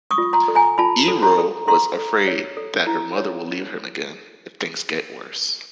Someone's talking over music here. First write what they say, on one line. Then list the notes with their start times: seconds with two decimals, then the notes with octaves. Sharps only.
Eero was afraid that her mother will leave him again if things get worse.
0.11 C#6 D#6
0.18 F4
0.33 A#5 C6
0.48 A4
0.55 G#5 A#5
0.78 F4 A5 B5
1.08 A4
1.22 A#5 C6
1.38 A4
1.68 A4 A#5 C6
1.98 A4
2.28 C#5
2.57 A4
2.87 E4
3.17 C#5